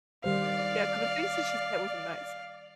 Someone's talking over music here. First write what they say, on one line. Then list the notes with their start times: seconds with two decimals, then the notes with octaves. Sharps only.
Yeah, ‘cause the things that she said wasn't nice.
0.24 D#3 G3 C5 D5 F5